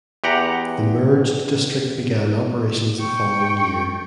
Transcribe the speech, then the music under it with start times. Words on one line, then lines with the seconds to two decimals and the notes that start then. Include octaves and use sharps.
The merged district began operations the following year.
0.24 E2 G4 F#5 A#5
3.00 G5 C#6